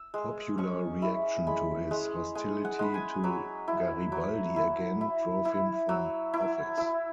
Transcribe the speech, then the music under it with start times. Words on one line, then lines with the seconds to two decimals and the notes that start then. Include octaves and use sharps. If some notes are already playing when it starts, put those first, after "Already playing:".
Popular reaction to his hostility to Garibaldi again drove him from office.
Already playing: E6
0.14 G#3
0.58 C#4 C#6
1.02 E4
1.47 G#3 B5
1.91 G#3
2.35 G#3 G#5
2.65 F#5
2.79 G#3 B5
2.94 G#5
3.24 F#3 B5
3.68 E4
4.12 F#3
4.56 E4
5.01 E4
5.45 E4
5.89 F#3 E6
6.34 E4
6.77 E4 E6